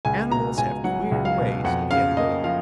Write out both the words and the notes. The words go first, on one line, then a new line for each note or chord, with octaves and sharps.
Animals have queer ways of getting a living.
C#2 G#5
B2 A#5
C#2 G#5
F#3 F#5
C#2
F5
B2
F2 F#5
C#3 F5
A#3 D#5
F3 F5